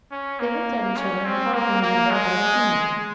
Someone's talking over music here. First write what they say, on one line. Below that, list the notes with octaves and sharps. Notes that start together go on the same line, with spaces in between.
They looked at each other and held one another by the hand.
C#4
A#3
C#4
C4
A#3
A#3
G#3